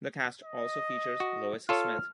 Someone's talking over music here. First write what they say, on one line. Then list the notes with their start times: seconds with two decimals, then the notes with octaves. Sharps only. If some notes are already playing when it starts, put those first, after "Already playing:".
The cast also features Lois Smith.
0.44 D#5
1.20 F#4
1.69 F4 A4 C#5 F6